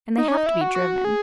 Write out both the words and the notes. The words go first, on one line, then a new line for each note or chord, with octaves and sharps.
And they have to be driven.
D#4
C#4
D#4
E4
F#4
F#4
G#4